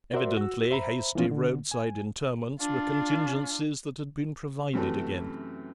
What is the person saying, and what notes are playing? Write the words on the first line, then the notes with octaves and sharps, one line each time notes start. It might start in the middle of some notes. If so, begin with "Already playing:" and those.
Evidently hasty roadside interments were contingencies that had been provided against.
F#4 A#4 C5 D5 E5 C6
F#4 E6
C5 E5 A#5 B5
E3 F3 B3 C#4 F4
D3
G#5
D4 F4
F#2 C3 E3 F#3 A3